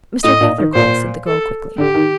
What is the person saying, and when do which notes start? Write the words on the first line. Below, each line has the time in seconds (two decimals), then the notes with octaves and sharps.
"Mr. Gathercole," said the girl quickly.
0.24 A2 D#5
0.41 A#2
0.58 D#3
0.74 A#2 C5
1.27 A4
1.78 D3 G4
1.94 D#3